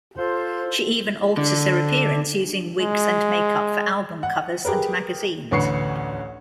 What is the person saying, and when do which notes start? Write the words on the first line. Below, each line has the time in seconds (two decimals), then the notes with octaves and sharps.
She even alters her appearance using wigs and make-up for album covers and magazines.
0.18 F4 A4 C5
1.37 D3
2.80 G#3
4.23 F#5
4.65 G4 G#4 A#4 B4
5.51 A1 D2 B4 C#6 C7 C#7